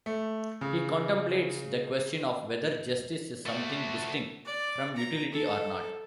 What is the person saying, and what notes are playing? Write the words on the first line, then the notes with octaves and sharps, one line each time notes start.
He contemplates the question of whether justice is something distinct from Utility or not.
A3
C#3
A3 F#4
D5
A#5
A4